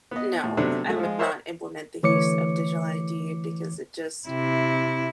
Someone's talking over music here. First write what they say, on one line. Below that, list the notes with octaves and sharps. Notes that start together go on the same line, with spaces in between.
No, I would not implement the use of digital ID, because it just uh,
B3 D#5
A2
C3 F#3 A3 B3 C4 D4
G#3 A3
F3 G#3
A#4 C5 C#5 D#5 E5 F#5
D3 E3 A3 C#5 D6 C#7
C3 E4